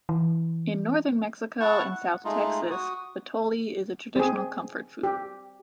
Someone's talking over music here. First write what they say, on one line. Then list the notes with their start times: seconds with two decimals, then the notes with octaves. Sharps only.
In Northern Mexico and South Texas, "atole" is a traditional comfort food.
0.09 E3
1.60 E4 F#5 A5 C#6
1.92 F#5
2.24 G#3 A3 D#4 F4
2.71 F#4 D#6
4.16 C4 G#4
5.03 G4